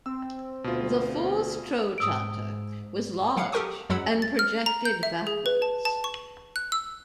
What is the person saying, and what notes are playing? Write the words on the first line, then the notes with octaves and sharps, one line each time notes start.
The fourth trochanter was large and projected backwards.
C4 E6
D2 B2 F4
G#2 D#6 E6 D7
F#3 F5 F#5 C#7
G4 A4 A#4 G5 C#6 D#6
F#2 F#3 G#3 F#5 B5 E6
A6
F6
A#5
G6
E5
G#4
B4
A5
A5
C#6
F#6
E6